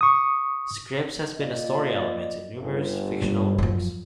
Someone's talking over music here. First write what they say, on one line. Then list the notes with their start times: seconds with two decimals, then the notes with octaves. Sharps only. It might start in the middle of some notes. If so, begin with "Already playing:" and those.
Scripps has been a story element in numerous fictional works.
0.01 C#6 D#6
1.38 A#2 D5 D#5
2.57 G1
3.22 G2
3.58 F#2 F3